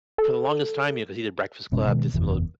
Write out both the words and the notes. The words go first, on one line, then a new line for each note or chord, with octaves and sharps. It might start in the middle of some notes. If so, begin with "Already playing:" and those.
for the longest time, you because he did Breakfast Club, did some of
A4
F#1 B2 G#3 C#4
B2 D#3 G#3
F#1 E2 B2